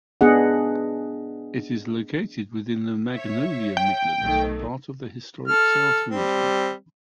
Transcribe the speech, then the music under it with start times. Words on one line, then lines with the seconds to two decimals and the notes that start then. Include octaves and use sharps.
It is located within the Magnolia Midlands, a part of the Historic South region.
0.21 B3 D4 G#4 D#5 F#5
3.13 C#5 E5
3.77 G5
4.20 B1 D#3 A3
5.48 A4 F6
6.11 G3 C4